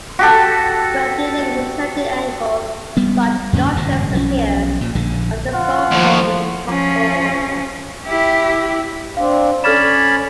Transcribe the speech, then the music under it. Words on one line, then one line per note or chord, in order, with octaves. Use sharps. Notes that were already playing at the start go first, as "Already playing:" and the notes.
When viewed at a certain angle, such sculptures appear as the so-called impossible objects.
F#4 G4 A4
G3 B3
F2 A#2 D3 C#4
G#1 G2 A#2 C#3
B1 F3 F#3 C#4
A#2
A#1 D3
F4 F#5
D#2 A2 F3
F3 C#4
E4 G4
C4 D4 F5
C#4 A4 C#5 D5 B5 F6 E7